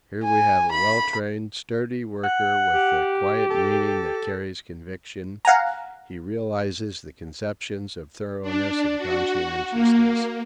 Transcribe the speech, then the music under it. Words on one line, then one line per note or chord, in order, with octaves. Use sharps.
Here we have a well-trained, sturdy worker, with a quiet meaning that carries conviction; he realises the conceptions of thoroughness and conscientiousness.
G#5
B5
F#5
G4
A4
F5 F#5 G#5 A#5
D4
F#4
A#3